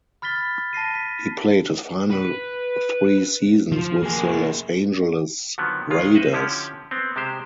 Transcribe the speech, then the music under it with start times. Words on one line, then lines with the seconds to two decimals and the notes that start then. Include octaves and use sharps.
He played his final three seasons with the Los Angeles Raiders.
0.22 B5 F6 A6 B6 G7
0.73 A5 A#6 C7 D#7
0.95 B6
2.11 B4
3.72 F3
4.03 A#3 G#4
5.58 D3 D#3 F3 F#3 B3
5.90 C#2 D#3 G#3 F4
6.15 B4 C5 D#5 E5 F#5
6.33 D3 F3 C#4 E4 G4
6.91 B3 C4
7.16 C3 G#3 G4 C5